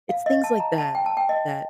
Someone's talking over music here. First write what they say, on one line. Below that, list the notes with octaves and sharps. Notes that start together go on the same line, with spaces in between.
It's things like that that
F5
D#5
A5
A#5
A5
G5
A5
G5
D#5